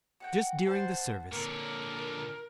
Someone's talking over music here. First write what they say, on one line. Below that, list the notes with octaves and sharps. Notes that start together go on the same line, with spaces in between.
Just during the service.
F#4 F#5 G5
C5 F#5 A5
A#2 D3 A#4 C#5